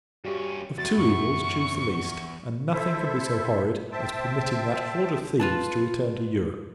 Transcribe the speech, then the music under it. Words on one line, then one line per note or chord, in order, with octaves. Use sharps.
Of two evils, choose the least; and nothing can be so horrid, as permitting that horde of thieves to return to Europe.
G2 C#4 F#4 G4
E2 F#4 A6
F#2 C#6
E4 A4 C5 E5
C5 E5 G5 A5
F4 B4 A5